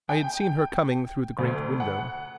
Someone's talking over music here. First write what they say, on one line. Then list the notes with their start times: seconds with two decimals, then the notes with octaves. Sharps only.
I had seen her coming through the great window.
0.09 G5
1.39 D2
1.80 F#5